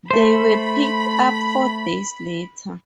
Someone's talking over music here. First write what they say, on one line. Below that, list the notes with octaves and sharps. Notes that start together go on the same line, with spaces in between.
They were picked up four days later.
A3 C5 B5